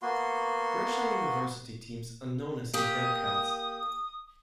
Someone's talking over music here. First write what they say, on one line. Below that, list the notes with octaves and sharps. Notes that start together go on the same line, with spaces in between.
Brescia University teams are known as the Bearcats.
A#3 B3 F#4 C6
A#3 G4 D#6